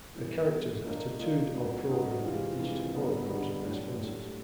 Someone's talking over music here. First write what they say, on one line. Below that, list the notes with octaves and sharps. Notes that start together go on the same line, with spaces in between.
Her characters are tattooed or programmed with digital holograms of their sponsors.
E3 G3 B3 E4
E3 G3 B3 E4
A3 D4 F4 A#4 D#5
A3 D4 F4 A#4 D#5
G3 C4 D#4 F#4 B4
G3 C4 D#4 F#4 B4
C3 E3 G#3 C4 F4
C3 E3 G#3 C4 F4
D3 G3 B3 D#4
D3 G3 B3 D#4
A2 F#3 A3 D4
A2 F#3 A3 D4